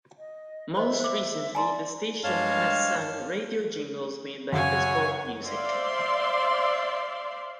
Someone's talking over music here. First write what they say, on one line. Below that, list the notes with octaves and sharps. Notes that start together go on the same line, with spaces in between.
Most recently the station had sung radio jingles made by Bespoke Music.
D#5
C5 D#5 E5
C5 D6
D5 G#5 A#5 C6
G2 G#3 C#5 F5 A5 F6
F#2 C#3 C#5 F#5 G#5
C5 D5 E5 F5 C6